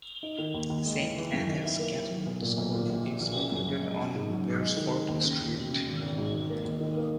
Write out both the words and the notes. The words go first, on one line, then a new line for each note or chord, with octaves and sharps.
Saint Annes Catholic School is located on Beresford Street.
D#4
D#3
D#2
D#2
G#3
E3
E3
F#2
D#3
E4
A#3
E4
F#3
B1
A#2
B1
A#2
A#1
A#1
A#1
C#3
F#2
C#3
G#3
C#4
G#2
F#3
G#2
G#3
D#3
G#3
D#2
C#3
D#2
E1
C#3
G#1
G#1
G#2
G#1
A#3
D#2
D#3
A#3